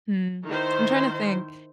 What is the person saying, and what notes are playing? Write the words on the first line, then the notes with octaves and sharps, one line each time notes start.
hmm. I'm trying to think.
D#3 E4 C5